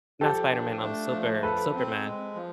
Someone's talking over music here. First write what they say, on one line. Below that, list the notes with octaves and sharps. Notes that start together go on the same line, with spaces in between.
Not Spider-Man, um, Super Superman.
F3 G4 A4
D4
A3
F3
F3 A4 B4
C4
G#3
F3